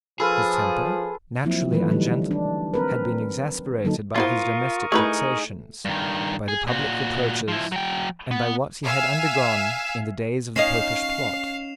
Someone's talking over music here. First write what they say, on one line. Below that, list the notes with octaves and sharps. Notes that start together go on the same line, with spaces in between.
His temper, naturally ungentle, had been exasperated by his domestic vexations, by the public reproaches, and by what he had undergone in the days of the Popish plot.
F3 F4 G#4 A4 B4 B5 F6
F3 F#3 A#3 C4 E4
D#3 E3 F#3 A3 B4
D3 E3 F3 G3 D#4
D4
C4 A#4 B4
D3 F#3 A#3 D#4 A4
B3 E4 F4 A#4 C5 C#6 D#6
A3 D#4 E4 G#4 B4
G2 D#3
G#4
A#2 F#4
F3 E4
F#3 G5
B3
E5 F5 G#5 E6
C#4 D#4 D#5 F5 C7 E7 F7